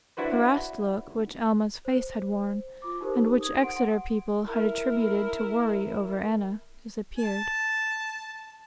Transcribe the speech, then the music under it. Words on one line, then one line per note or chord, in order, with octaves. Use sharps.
The harassed look which Alma's face had worn, and which Exeter people had attributed to worry over Anna, disappeared.
D4 E4 F#4 B4 C5
C5
F4 D6
D#4 G4 A4 A#4 C5
D#6 G#6
F#5 C6 D7
E4 A#4
A5